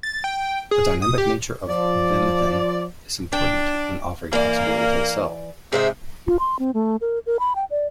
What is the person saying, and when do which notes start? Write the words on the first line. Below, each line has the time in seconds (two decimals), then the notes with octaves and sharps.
The dynamic nature of vimentin is important when offering flexibility to the cell.
0.03 A6
0.24 G5
0.71 G#4
1.02 D#6
1.18 G4
1.69 F3 D5
3.33 D4 G5
4.33 E3 A#3 D5
5.72 G#2 C3 G#4 C5 E5
6.27 F4
6.39 C6
6.59 C4
6.74 A3
7.01 A#4
7.26 A#4
7.39 B5
7.56 G5
7.71 D5